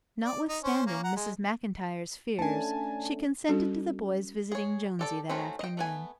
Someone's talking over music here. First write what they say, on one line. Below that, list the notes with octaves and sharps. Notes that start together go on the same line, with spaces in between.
Notwithstanding Mrs. Maclntyre's fears, she consented to the boys visiting Jonesy that afternoon.
D5
D#4
C#4 C5
A#3 C#4
F#5 A#5
G#3
A3 C#4 D4 G#5 A5
G3 C#4 F#4 A4
G#4 C#5
G4 A4 D5
A3 C#4 D#4 F#4 C5
D#5 G5
A3 B3 G#5